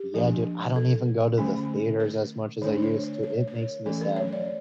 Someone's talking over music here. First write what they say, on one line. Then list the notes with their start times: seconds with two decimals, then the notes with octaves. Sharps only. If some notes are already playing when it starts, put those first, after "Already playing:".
Yeah, dude. I don't even go to the theaters as much as I used to, it makes me sad, man.
Already playing: G4
0.14 F3 A#3 D4
0.76 A4
1.38 D3 A3 C#4
2.00 A#4
2.62 D3 A3 D4 C#5
2.82 C#5
3.04 C#5
3.23 C#5
3.47 C#5
3.55 A#4
3.86 E3 A3 C#4 A4
4.01 A#4
4.17 C#5
4.32 D5